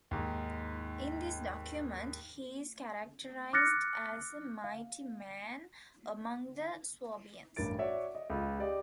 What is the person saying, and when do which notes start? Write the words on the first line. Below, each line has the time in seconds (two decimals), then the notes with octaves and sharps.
In this document he is characterized as a "mighty man among the Swabians".
0.11 D#2 G#2
3.53 D6 F6 F#6 A6 A#6 C#7
4.64 F5
7.56 A1 G2 A#4 A6 D7
7.78 F#4 C#5 D5 E5
8.15 D#5
8.30 C#2 F4
8.59 G4 D5 D#5